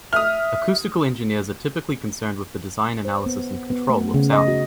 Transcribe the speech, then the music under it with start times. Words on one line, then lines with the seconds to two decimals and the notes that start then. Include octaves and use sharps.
Acoustical engineers are typically concerned with the design, analysis and control of sound.
0.13 E5 D#6 F6
3.05 C5
3.26 B3
3.70 B3
3.89 A3
4.14 C#3
4.33 D#5
4.48 F#4